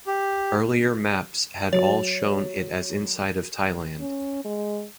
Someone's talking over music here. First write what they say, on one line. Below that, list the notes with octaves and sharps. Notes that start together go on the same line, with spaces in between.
Earlier maps had all shown it as inside of Thailand.
G4
F#3 C#5
C#4
G#3